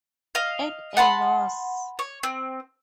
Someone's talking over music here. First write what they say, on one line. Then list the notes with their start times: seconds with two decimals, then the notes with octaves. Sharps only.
At a loss.
0.35 D#5 F5
0.97 F#5 A5 B5 C6
1.99 C#5
2.23 C4